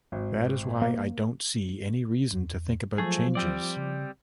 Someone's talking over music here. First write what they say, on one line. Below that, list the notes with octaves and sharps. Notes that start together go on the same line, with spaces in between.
That is why I don't see any reason to think about changes.
G#1
A#3
E2
F3 F#3 A3 G#4
G3 C4 D5
C#3